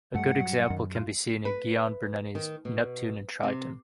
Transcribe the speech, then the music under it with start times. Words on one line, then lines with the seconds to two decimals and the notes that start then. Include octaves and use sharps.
A good example can be seen in Gian Bernini's "Neptune and Triton".
0.15 G2 G3 A3 F#5
0.40 F#3
0.70 F#2 D#3
0.95 F4
1.45 B4
2.35 D#3
2.65 B2
3.43 C3